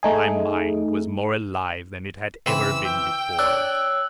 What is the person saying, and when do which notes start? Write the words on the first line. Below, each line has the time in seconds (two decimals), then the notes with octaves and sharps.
My mind was more alive than it had ever been before.
0.03 A3 D#4 G#4
2.46 C#3 E3 C4 B4 E6
2.85 G5 E6
3.39 D4 C#5 E6 F#6